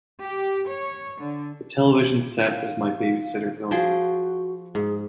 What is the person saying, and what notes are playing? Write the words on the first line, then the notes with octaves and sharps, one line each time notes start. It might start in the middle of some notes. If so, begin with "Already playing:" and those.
The television set was my babysitter growing up.
G4
C#5
D3
F5
F3 F#4 G#4 G5
G#2 G#4